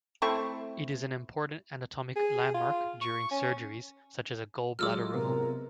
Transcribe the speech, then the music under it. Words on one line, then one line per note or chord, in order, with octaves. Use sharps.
It is an important anatomic landmark during surgeries such as gall bladder removal.
A3 C4 E4 C#6
G#4
F4
C#6
C#4
F#3 G#3 F4 D6 E6 F6
C3 B3 A#4